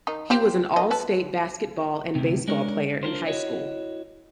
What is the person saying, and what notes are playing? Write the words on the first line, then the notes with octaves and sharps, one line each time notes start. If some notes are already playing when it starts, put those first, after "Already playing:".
He was an all-state basketball and baseball player in high school.
D#3 D#4
F4 G4 C5
D#3 D#5
A4 B4 A5
D2 C3
G#3 D4 A#4 C#5
D4 F4 A#4 C5
E4 F#4 C#5 D#5